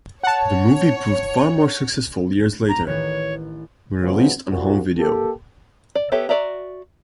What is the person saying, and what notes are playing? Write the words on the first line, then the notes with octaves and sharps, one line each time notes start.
The movie proved far more successful years later, when released on home video.
C#5 F#5 A5
G4 A#5
A1 D#3 B4 C#5
C#3 F3 F#3 G#3 B3 C#4
C2 A#2 F#4
A#3 G4 A4
D5
B3 G4 A4 C#5 E5
F#4 A#4 D5 E5 A#5